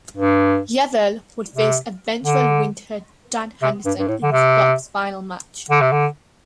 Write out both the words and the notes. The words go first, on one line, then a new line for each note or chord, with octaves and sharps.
Yvel would face eventual winner Dan Henderson in his block's final match.
G2
C3
D3
C3
G2
G2
A2
D3
C3
D3
C3
D3